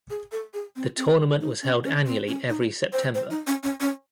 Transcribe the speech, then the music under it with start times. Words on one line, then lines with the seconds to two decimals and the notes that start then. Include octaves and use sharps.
The Tournament was held annually every September.
0.10 G#4
0.32 A4
0.54 G#4
0.76 C4
0.97 C4
1.41 D#4
1.63 C#4
1.84 C#4
2.06 C4
2.28 C#4
2.49 D#4
2.93 C5
3.15 C5
3.31 D#4
3.47 C#4
3.63 C#4
3.80 C#4